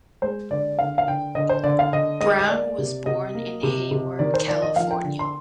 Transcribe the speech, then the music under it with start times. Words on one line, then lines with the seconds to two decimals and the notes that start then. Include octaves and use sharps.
Brown was born in Hayward, California.
0.22 G#3 C5
0.51 D3 D5
0.79 D3 F5
0.98 F5
1.07 D3 G5
1.35 D3 D#5
1.49 C5
1.64 D3 D5
1.79 F5
1.92 D3 D#5
2.20 G#3 D#5
2.39 D#5
2.49 A#3 D5
2.78 C3
3.06 C3 D#5
3.35 A#3
3.63 C3
3.91 C3
4.19 D#3 D5
4.34 C5
4.48 D#3 D5
4.62 D#5
4.76 F3 F5
4.91 G5
5.04 D3
5.19 C6